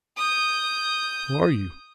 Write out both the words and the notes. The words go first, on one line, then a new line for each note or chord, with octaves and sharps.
"Who are you?"
D#6 G6